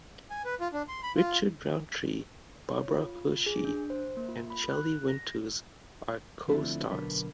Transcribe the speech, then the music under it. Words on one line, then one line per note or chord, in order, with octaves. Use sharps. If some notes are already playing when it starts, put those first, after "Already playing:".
Richard Roundtree, Barbara Hershey and Shelley Winters are co-stars.
G#5
B4
F4
D4
C6
B5
F4
C#5
F4
F4
G#4
D4
C5
A#3
F4
B5
F#6
A#6
D3 F3 A3 C4 D4 E4
B2 D3 F#3 D4 A#4 B4